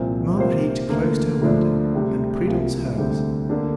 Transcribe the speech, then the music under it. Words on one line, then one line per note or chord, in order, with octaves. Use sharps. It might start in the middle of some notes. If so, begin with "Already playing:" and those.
Marguerite closed her window and Prudence hers.
Already playing: C2 A#2 F3 C4
C3 A#3 F4 C5
D2 D3 A#3
D2 D3 F3 D4
D2 C3 G3
C2 C3 A#3 F4
D2 D3 G3 C4 G4
D3 A#3 D4